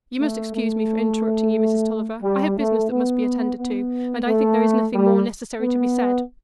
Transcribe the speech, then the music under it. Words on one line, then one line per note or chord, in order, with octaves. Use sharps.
"You must excuse me for interrupting you, Mrs. Tulliver; I have business that must be attended to; and I think there is nothing more necessary to be said."
A3
A3
G3
A3
B3
B3
A3
G3
B3